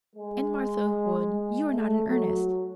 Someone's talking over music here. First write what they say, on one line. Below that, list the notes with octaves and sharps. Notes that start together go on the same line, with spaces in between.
"Aunt Martha would--you are not in earnest."
G#3
A3
F#3